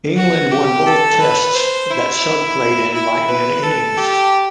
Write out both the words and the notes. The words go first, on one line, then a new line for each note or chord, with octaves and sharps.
England won both Tests that Sugg played in by an innings.
F#4
G4
A4
B4
C5
E4
E4
B4
A4
G4